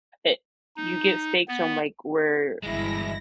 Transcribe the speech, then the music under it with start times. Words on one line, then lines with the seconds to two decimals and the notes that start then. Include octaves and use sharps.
it you get steaks from, like, where
0.76 D#4
1.48 B3
2.63 G1 E3 G#3 E4 A#6